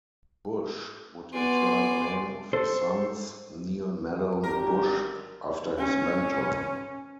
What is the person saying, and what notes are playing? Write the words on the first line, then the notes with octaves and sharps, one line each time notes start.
Bush would in turn name of his sons, Neil Mallon Bush, after his mentor.
B3 F#4 D5 G#5 C6
A4 C5
G#1 D3 G4 A#4
C#4